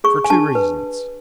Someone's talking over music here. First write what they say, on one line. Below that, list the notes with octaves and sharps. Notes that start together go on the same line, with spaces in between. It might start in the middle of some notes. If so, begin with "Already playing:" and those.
"For two reasons."
G#4 C#6
G#5
D4 A5
B4